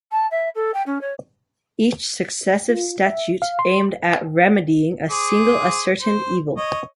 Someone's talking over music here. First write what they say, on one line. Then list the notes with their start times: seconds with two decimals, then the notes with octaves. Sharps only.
Each successive statute aimed at remedying a single ascertained evil.
0.11 A5
0.31 E5
0.55 A4
0.73 G5
0.86 C#4
1.01 C#5
2.69 F4
3.06 E5
3.42 F5
3.59 C6
5.10 G#4 C5 D6
6.02 C5
6.57 C#5 D#5